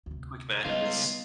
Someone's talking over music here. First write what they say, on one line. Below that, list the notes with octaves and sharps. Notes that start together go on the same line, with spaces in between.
Quick matches.
D2 C3
C#2 G3 B3 D#4 F4 B4 D#5